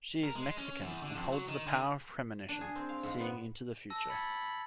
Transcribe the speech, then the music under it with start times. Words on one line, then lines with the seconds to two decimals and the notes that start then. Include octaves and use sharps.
She is Mexican and holds the power of premonition, seeing into the future.
0.23 A#4
0.35 G#3
0.58 C#4
0.82 E2
1.02 D3
1.15 F2
1.32 F#3
1.48 D#3
1.66 D3
2.49 D4
2.61 G#4
2.76 C4
2.89 F5
3.03 G#2
3.20 B3
3.90 A5 E6 A#6
4.10 B5 G#6 A6 C#7